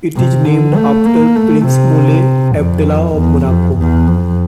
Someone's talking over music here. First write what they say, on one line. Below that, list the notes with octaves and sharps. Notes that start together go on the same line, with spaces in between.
It is named after Prince Moulay Abdellah of Morocco.
C3
D3
A3
A#3
A3
C3
F2
E2
F2
E2
F2